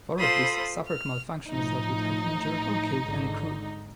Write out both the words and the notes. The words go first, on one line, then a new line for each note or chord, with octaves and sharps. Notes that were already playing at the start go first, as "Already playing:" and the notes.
Four of these suffered malfunctions that would have injured or killed any crew.
F4 A4 C5 B5 C6 D#6
F6
A2 F3 D#4
G#1 G#2 D3